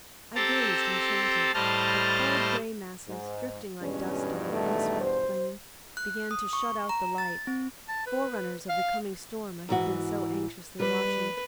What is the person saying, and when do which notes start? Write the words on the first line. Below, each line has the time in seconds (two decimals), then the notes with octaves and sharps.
I gazed enchanted, but cold gray masses, drifting like dust on a wind-swept plain, began to shut out the light, forerunners of the coming storm I had been so anxiously watching.
0.36 C4 G4 A4 C5 A5 A#5
1.54 A2 G3 C5 D#5 A5 F6
3.08 G#2
3.82 E2 G2 B2 G#3 C#4
4.50 D#3 A3
5.01 C5
5.97 F#6
6.31 D#6
6.53 C#6
6.89 A#5
7.18 A6
7.47 C4
7.89 A5
8.07 B4
8.69 F5
9.69 G#2 E3 F#4
10.80 G3 B4